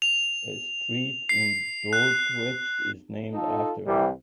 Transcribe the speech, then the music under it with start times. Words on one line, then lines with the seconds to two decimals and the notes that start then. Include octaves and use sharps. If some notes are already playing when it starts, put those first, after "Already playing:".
A street in Dordrecht is named after him.
0.02 F7
1.29 C7
1.93 F#6
3.33 D#4 F4 A4
3.86 C2 C3 E3 G3